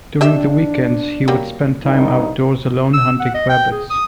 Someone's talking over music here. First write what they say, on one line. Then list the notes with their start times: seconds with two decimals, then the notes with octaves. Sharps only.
During weekends, he would spend time outdoors alone hunting rabbits.
0.21 D#3 D4 G4 E5
1.28 F#3 G3 A#3
1.85 C2 G2 D#4
2.94 E6
3.20 F#5
3.34 D#5
3.49 G5
3.72 G#4
3.90 D#6